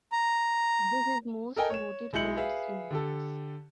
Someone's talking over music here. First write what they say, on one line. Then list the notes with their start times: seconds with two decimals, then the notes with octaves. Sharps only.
This is most noted for its remoteness.
0.12 A#5
1.56 A4 A#4 D#5 G5 G#5
1.70 C#5 E7
2.13 B1 G#3 E4 G6 C#7 F#7
2.37 G#4 B4 E5 F5
2.91 D3 G4 A4